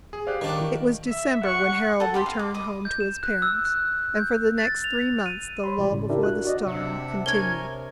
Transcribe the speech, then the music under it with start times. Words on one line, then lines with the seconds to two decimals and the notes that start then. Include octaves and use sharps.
It was December when Harold returned home to his parents, and for the next three months the lull before the storm continued.
0.13 G#4
0.27 G4 C5 D5 F5 F#6
0.41 D#3 D4
0.56 E3 A#4 C#6
1.08 E5
1.44 F#5 C#6
2.00 A4 F#5
2.14 G4 B5 C6
2.26 F5
2.39 D6
2.54 D#5 B5 D6
2.85 G6
3.00 E7
3.23 F#6
3.42 E6
3.65 F#6
4.16 G6
4.58 A6
4.84 F7
5.26 D#7
5.64 C#5 B5 C6
5.78 G1 B2 E3 G#3 G4 D5
5.92 A2 C#3
6.09 D4 E4 G4 A#4 D5 E5
6.22 D4 F#4 F#6
6.45 F#4 D5 D#5
6.66 C3 D4 E5 F#5
7.26 A#4 C#5 G#5 G#6 G7